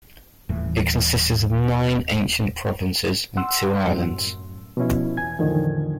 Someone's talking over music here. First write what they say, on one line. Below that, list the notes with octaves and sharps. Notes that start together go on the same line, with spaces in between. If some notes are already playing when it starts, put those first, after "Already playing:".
It consisted of nine ancient provinces and two islands.
D#1 A2 E3
F#5 C6 E6
F#2 A2
B2 F3 C#4 E4
E2 G#5 G#6
E2 A2 D3 D#3 F3